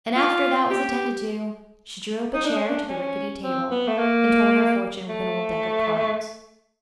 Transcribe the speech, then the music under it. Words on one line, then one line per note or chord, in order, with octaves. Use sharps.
And after that was attended to, she drew up a chair to the rickety table, and told her fortune with an old deck of cards.
F4
G4
D#4
D4
C#4
D4
C#4
C4
B3
A3
A#3
A3